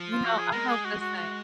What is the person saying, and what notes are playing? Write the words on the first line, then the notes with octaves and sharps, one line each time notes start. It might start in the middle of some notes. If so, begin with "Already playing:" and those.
You know, I hope the same.
Already playing: F3
F4
F#4
G#4
G#3 A#4
G#4
F#4
F#4
F#4